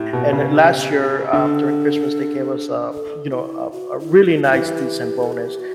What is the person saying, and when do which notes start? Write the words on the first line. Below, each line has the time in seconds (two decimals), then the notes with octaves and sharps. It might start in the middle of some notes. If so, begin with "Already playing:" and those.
and last year, um, during Christmas, they gave us, uh, you know, a a really nice, decent bonus,
Already playing: A2 G4
0.13 B2
0.33 C#3
1.33 D3 A4
2.93 A4
3.32 E4
3.72 F#4
4.00 E4
4.26 F#4
4.44 F#4
4.53 E3 G4
5.23 A4
5.32 G4
5.59 F#4